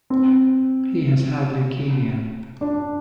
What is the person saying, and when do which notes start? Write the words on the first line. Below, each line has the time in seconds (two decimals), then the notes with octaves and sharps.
He has had leukaemia.
0.10 C4
2.61 D4